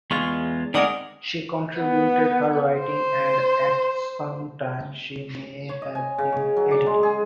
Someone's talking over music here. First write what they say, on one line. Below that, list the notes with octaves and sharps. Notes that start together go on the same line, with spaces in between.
She contributed her writing and at some time she may have been editing.
E2 G#3 F4 C#6
D#3 G#3 A#4 D5 F#5 D#6
B3
C5
C#5
D#5
G#5
C#3
C#5
F#3
D5
G#3
G#4